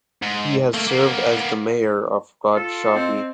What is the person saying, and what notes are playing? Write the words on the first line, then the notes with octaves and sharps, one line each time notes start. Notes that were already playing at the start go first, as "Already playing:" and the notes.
He has served as the Mayor of Rajshahi.
G#2
A3 A#3
A#3 B3
F4 A4
C4 D#5